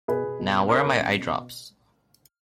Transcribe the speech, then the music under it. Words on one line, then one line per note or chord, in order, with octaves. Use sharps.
Now, where are my eyedrops?
B2 G#4 B4
B2
B2
C#4
C#4 A#4 C#5
B2
C#4
B2